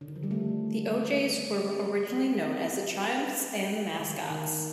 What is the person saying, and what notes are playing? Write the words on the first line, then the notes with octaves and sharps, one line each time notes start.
The O'Jays were originally known as The Triumphs and The Mascots.
D3
D#3
F3
G3
A3
D#3
D#3